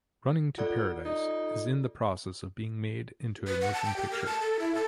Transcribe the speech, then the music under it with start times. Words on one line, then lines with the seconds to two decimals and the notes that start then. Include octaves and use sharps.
"Running to Paradise" is in the process of being made into a motion picture.
0.58 F4 A4 D5 F#5
1.05 D#4
3.47 B4
3.61 F#5
3.74 A5
3.85 G5
3.97 G4
4.11 A#4
4.26 A5
4.40 A4
4.59 E4
4.75 A4